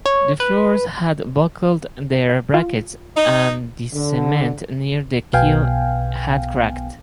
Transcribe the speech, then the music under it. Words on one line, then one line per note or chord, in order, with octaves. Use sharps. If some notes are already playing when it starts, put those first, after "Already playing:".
The floors had buckled their brackets and the cement near the keel had cracked.
C#5
B4
F4
D#4 D#5
D3
B1 B2 B3 F5 G5 G#5